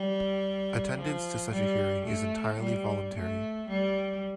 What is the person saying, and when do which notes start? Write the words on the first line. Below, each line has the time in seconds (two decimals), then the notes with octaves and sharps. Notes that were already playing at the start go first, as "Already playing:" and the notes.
Attendance to such a hearing is entirely voluntary.
Already playing: G3
0.96 F3
1.51 G3
2.05 A3
2.59 G3
3.14 A3
3.69 G3